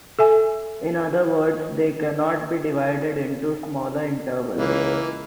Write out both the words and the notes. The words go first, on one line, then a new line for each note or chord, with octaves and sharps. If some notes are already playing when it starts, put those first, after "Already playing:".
In other words, they cannot be divided into smaller intervals.
A4 E5 G#5
C#2 E3 A#3